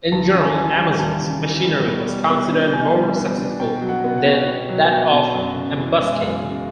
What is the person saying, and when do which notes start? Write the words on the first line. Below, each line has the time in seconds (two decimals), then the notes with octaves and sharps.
In general, "Amazon"s machinery was considered more successful than that of "Ambuscade".
0.12 D#2 A5
0.34 C#3
0.41 G#5
0.51 A5
0.56 E3 G#5
0.70 G#5
0.77 G3
0.99 D#2 A5
1.21 C#3
1.42 E3
1.64 G3
1.86 B2
2.08 G3
2.30 B3
2.52 D4
2.73 B2 G#5
2.94 G3
3.16 B3
3.38 D4
3.60 B2 G5
3.81 F#3
3.89 F#5
4.04 B3
4.18 F#5
4.26 B2
4.47 B2
4.69 F#3
4.90 B3
5.13 B2
5.34 F#2
5.56 C#3
5.78 E3
6.00 G#3
6.21 F#2 F5
6.43 C#3